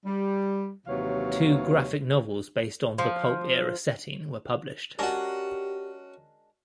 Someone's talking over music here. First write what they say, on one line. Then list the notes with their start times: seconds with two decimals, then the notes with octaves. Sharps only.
Two graphic novels based on the Pulp era setting were published.
0.06 G3
0.87 D#2 C3 E3 F#3 C#5 F5
2.98 F3
4.99 G#3 C#4 D4 F#4 G4 A#4